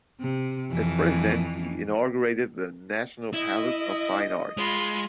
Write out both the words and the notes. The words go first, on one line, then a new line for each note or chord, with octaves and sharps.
As president, he inaugurated the National Palace of Fine Arts.
C3
F2 E3
E4 D#5
G#3 F4 B5